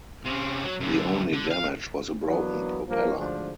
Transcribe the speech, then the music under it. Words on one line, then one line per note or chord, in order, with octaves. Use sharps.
The only damage was a broken propeller.
C3 C#4
F#3
F#2 D3
D3
F5
E3 F#3 A#3 B3 D4
G2 F3 A#3
D2 G#2 D3 F3 D4